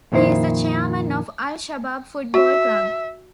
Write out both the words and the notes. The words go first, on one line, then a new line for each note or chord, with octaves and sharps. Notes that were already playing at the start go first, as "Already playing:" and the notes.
He is the chairman of Al-Shabab football club.
F2 A#2 D#3 E4 C5
F#4 E5